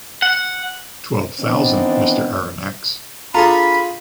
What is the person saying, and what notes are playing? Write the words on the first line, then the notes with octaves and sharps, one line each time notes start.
Twelve thousand, Mr. Aronnax.
F#5
D#3 E3 B3 C4 D4 D#5
D4 F4 G#4 A4 A#5 B5